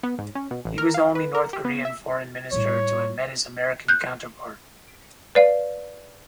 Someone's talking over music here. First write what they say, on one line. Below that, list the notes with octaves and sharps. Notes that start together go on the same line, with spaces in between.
He was the only North Korean foreign minister to have met his American counterpart.
B3
G#2
C#4
B2
A1
A#4
F5
B4
A#4
G4
B3
E5
A2 G3 C#5
F#6 G6
B4 D5 F5